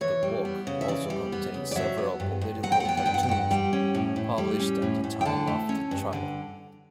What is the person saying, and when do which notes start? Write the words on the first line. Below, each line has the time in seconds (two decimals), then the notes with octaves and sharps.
The book also contains several political cartoons published at the time of the trial.
0.01 E3 C#5
0.23 G3
0.45 B3
0.67 C#3
0.81 E5
0.88 E3 D5
1.10 G3
1.32 B3
1.54 C#3
1.71 D5
1.76 F#3 E5
1.98 B3
2.20 G2
2.41 G2
2.63 F#3 F#5
2.72 G5
2.80 F#5
2.85 B3 G5
2.97 F#5
3.06 G2 G5
3.14 F#5
3.23 G5
3.29 G2 F#5
3.51 G3 G5
3.73 C#4
3.95 A2
4.16 A2
4.38 G3
4.60 C#4
4.82 A2
5.04 A2
5.21 G5
5.25 D3 A5
5.47 A3
5.69 C#4
5.91 G2
6.13 D3